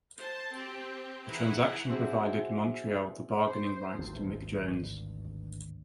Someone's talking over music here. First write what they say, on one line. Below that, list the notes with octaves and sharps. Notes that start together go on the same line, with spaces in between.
The transaction provided Montreal the bargaining rights to Mick Jones.
C5 A5
C4 G4 G5
E3 E4 G#4 F#5 A#5
C4 D4 E4 F#4 G#4 C5
C5
G#1 D2 G2